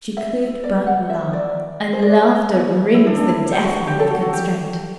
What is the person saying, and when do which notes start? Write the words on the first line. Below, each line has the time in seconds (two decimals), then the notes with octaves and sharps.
She could but laugh; and laughter rings the death-knell of constraint.
0.17 E5
0.64 D5
0.87 F#5
1.10 E5
1.33 D5
1.93 C5
2.02 D5
2.94 E4
3.07 D4
3.18 D4
3.29 E4
3.52 G4
3.65 F#4
3.87 G4
4.00 A4
4.10 F#4
4.22 F#4
4.33 G4